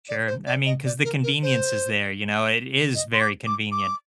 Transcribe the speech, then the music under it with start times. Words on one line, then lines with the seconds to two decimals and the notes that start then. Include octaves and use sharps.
Sure, I mean, 'cause the convenience is there, you know, it is very convenient
0.09 D5
0.27 C5
0.46 D5
0.66 D#5
0.85 D5
1.04 A#4
1.23 A#4
1.43 C5
2.95 D#5
3.13 C6
3.21 D6
3.47 D6
3.72 D6